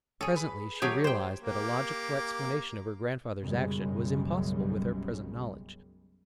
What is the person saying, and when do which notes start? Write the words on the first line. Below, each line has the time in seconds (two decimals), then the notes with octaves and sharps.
Presently she realized that a logical explanation of her grandfather's action was impossible with her present knowledge.
0.21 G#4 A4 C#5
0.36 B4
0.82 F#3 A3 G4 G#4 C#5
1.04 C5 G5
1.41 A#3 G4
3.41 B1 F#2 C#3 G3 G#3